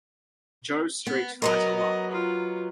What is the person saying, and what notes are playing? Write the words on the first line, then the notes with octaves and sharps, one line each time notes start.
Joe Street Fighter line.
B3
F#3 B3 A#4 D#5
D#5
F4